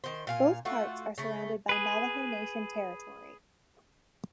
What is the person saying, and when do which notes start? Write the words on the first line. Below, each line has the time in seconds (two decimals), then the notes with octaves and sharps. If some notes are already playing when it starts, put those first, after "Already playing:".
Both parts are surrounded by Navajo Nation territory.
0.04 D#3 C5
0.27 A#2 F5 G#5
0.65 A3 F4 F#4
1.18 C#3 A3
1.69 G#4 B4